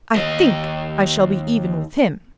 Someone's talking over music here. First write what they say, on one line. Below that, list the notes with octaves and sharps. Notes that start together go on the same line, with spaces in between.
I think I shall be even with him.'
D#2 D#5